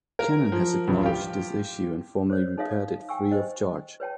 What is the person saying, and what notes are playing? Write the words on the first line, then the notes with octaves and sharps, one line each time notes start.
Canon has acknowledged this issue and formerly repaired it free of charge.
A#4
F3
D1 E2 G2
F4 G4
C5 C#5
D#4 A4 C#5 E5 F5 D#6
G5 G#5 C#6 E6
C5 D#5
B4 C#5 G5 A5